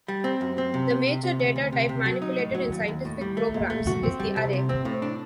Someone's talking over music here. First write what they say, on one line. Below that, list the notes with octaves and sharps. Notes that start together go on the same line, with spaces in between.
The major data type manipulated in scientific programs is the array.
G3
C4
F#2
C4
C3
C3
C3
C3
D2
D2
C3
C3
F#3
D#4
A2
F#3
D#2
D#2
A2
G3
A3
A#2
A3
F#4
C4
G3
C2
C3
C4
A2
D4